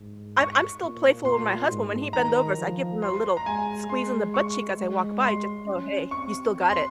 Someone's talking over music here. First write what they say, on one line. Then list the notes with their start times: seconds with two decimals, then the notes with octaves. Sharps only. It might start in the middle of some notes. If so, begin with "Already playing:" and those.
I'm I'm still playful with my husband. When he bend overs, I give him a little squeeze on the butt cheek as I walk by just to go, "Hey, you still got it."
Already playing: G#2
0.37 C#6
0.81 A#2
1.25 A#2 C6
1.69 G#2
2.13 D#3 A#5
2.57 F3
3.02 C6
3.37 A#5
3.46 G#3 G#5
3.89 G#3 C6
4.34 C#6
4.78 G#3
5.23 C6
5.66 C#4
6.11 C4 C#6
6.70 C6